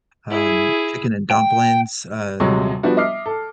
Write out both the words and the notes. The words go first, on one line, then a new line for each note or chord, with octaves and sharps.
um, chicken and dumplings. Uh,
E4 G#4
G5
D#1 C3 F#3 G#3 C#6
F3 G3 B3 D4 F#4
D#5 E5 D6 F6 C7
A4